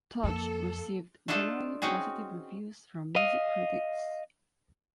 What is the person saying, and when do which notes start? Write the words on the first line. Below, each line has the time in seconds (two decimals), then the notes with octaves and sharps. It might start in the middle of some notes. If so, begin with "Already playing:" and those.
"Touch" received generally positive reviews from music critics.
0.23 F2 A#3 A4
1.28 A3 D4 D#4 F4 A4
1.82 C4 C#4 D#4 F#4 G#4
3.16 D#5 F5